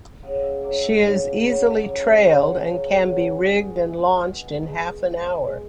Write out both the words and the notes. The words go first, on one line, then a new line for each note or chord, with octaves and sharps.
She is easily trailed and can be rigged and launched in half an hour.
C#3 F#5
E5
F#3 D5
E5
C#3
F#3
C#3 D5
F#5
F#3
F#5
C#3
F#3
B2 G#4
G#3
B2
G#3
B2
G#3